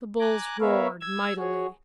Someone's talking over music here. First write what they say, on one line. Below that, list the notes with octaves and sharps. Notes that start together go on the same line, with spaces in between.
The bulls roared mightily.
G#5 A#5 D6 F#6
B3 A#4 B4 C#5 E5 F5
E6 G#6
F#4 G#4 C#5